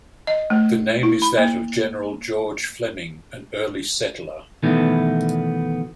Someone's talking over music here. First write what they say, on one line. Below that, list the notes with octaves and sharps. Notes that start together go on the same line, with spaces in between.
The name is that of General George Fleming, an early settler.
D#5
A3
E4
B5
A#3
B2 D#3 E3 A3 B3